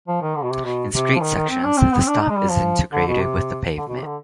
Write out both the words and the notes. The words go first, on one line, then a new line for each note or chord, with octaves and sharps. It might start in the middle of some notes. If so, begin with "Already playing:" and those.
In street sections, the stop is integrated with the pavement.
F3
D#3
D3
B2
C3
B2
C3
F3
D#3
D#3
C4
D4
C4
B3
C4
D4
D#4
G#3
G3
F3
D3
B2
C3
D3
B2
C3
D#3
D3